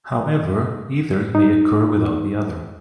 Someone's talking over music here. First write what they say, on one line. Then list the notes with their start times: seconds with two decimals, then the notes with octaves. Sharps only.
However, either may occur without the other.
1.35 D#4